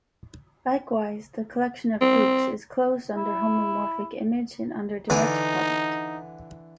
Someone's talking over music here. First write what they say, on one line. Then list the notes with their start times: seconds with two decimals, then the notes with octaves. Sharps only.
Likewise, the collection of groups is closed under homomorphic image and under direct product.
2.01 C4
3.16 E4
5.10 D3 E3 D#4 D5